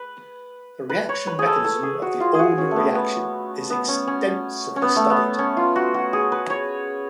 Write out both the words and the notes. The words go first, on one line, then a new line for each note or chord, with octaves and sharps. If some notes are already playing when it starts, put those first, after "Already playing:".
The reaction mechanism of the Ullmann reaction is extensively studied.
Already playing: B4
B4
C#5
B4
G#4
A4
A4
G#4
F#4
F4
F#4 G#4
C#4
A3
B3
B3
B3
C#4
C#4
C#4
B3
A3
B3
C#4
F4
F#4
F#4
G#4
B4
C#5